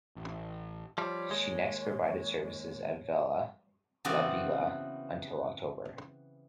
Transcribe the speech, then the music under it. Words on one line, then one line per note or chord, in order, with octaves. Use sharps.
She next provided services at Vella Lavella until October.
A1
F3 G3 C#5
D#2 G#3
C#3 E3 B3 C4 F#4 D5